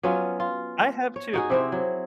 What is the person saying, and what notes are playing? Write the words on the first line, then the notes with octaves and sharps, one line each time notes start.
I have too.
F#3 B3 C#4 F4
F4
C#5
D#4 F#4 G#4
C3 C4 E4
F#3